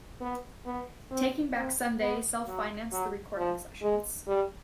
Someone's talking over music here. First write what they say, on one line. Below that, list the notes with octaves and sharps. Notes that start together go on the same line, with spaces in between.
Taking Back Sunday self-financed the recording sessions.
B3
B3
C4
C4
B3
F#3
F#3
F3
G#3
G3